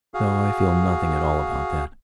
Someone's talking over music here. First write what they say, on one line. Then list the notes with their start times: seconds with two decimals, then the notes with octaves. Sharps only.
No, I feel nothing at all about that.
0.14 F#4 G#4 F5